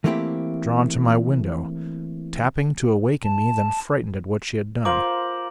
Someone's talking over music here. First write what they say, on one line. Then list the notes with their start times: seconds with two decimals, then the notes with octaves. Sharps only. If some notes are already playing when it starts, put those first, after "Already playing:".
Drawn to my window; tapping to awaken me, then frightened at what she had done.
0.04 E3 A3 A#3 C4 E4 G4
3.24 A5
4.85 F4 A#4 C5 D6 F#7